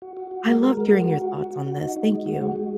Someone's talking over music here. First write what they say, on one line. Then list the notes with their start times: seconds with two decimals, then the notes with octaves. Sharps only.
I loved hearing your thoughts on this. Thank you.
0.02 F#4
0.17 F#4
0.31 F#4
0.47 G#3
0.62 A#4
0.77 G#3
0.91 F#4
1.06 F#4
1.22 F#4
1.37 F#4
1.51 F#4
1.66 F#4
1.81 D#4
1.96 D#4
2.10 G#3
2.26 F#4
2.42 G#3
2.56 G#3